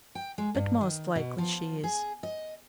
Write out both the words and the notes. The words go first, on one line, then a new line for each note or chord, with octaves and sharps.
But most likely she is.
G5
G#3
G2
D#3
B2
F3
G#4
D#5